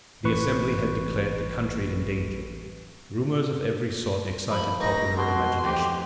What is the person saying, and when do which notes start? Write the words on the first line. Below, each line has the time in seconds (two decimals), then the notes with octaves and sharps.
The Assembly had declared the country in danger. Rumors of every sort excited popular imagination.
0.24 A1 B4 C#6
4.50 F3 B5
4.80 C#2 D#4 C#5 D6 A#6
5.16 B2 C6
5.64 A1 F2 G4